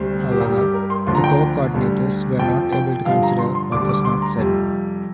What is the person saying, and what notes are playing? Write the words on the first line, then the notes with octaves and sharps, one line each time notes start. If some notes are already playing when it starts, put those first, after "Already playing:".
However, the co-coordinators were not able to consider what was not said.
Already playing: D2 C3 G3 C5
G4
G2 G3 A#4
G4
A#4
C6
D2 D3 F3 C6
A#5
G5
A#5
D2 D3 G3
F2 F3 G5
G5
G2 D3 F3 F5
A#5
C6
C6
D2 D3 G3 D6
D6
C6
A#5
F2 C3 G3